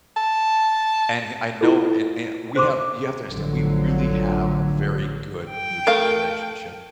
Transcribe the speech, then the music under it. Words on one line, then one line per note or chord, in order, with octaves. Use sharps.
and he I know and and we have you have to understand, we really have a very good mutual relationship,
A5
E4 F4 A4
C5 C6 D6
A1 D3 F3 F#3
G5
A3 A#4 F5